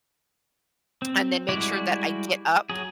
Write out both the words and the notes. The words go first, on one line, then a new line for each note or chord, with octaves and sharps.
and then make sure that I get up
C4
G3 G#3 E4 F#4 D5
F#3 G#4